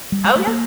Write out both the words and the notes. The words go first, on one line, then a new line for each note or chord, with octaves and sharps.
Oh, yeah.
G3
G#3
A3
A#3